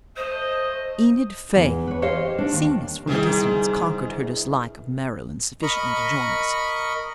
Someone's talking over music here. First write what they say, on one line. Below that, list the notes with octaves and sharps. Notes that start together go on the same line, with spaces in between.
Enid Faye, seeing us from a distance, conquered her dislike of Marilyn sufficiently to join us.
A3 C5 D#5
E2
B4 C#5
G4 C5 C#5 D#5 F5
D4
D#2
G1 C2 G#2 D#3 G#4
A#4 D#5 B5 C#6